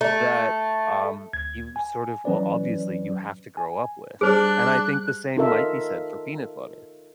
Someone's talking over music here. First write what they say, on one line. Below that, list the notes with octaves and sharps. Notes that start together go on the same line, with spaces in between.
that, um, you sort of well, obviously, you have to grow up with, and I think the same might be said for peanut butter
A3
D2 G#6
G#5
E3 F#3 C#4 B4 D5
G#5
G3 D4 G#4 C5 F#6
D#4 F4 A4 A#4 E5